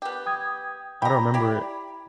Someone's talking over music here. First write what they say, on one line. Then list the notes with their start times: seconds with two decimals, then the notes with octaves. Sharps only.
I don't 'member it.
0.02 B3 G4
0.26 G5 D#6 G#6
1.02 G5 A#5 B5
1.34 E4 G4 D5